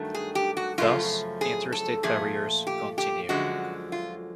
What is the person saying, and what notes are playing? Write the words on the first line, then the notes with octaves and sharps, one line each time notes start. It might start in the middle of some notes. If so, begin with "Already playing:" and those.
Thus, inter-state barriers continue.
Already playing: G2 D#3 F#3 A3
G#4
G4
F#4
F#2 C#3 F3 A3 F4
G#4
A4
A#2 F3 A3 G#4
G4
G4
F#2 D3 F3 G#3 F#4
F4